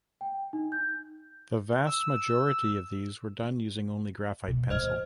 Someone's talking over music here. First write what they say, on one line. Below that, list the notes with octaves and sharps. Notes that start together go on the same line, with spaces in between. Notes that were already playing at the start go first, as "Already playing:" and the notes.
The vast majority of these were done using only graphite pencil.
G5
D#4
G6
E6
B2
A2 E3 C5 D#5 F6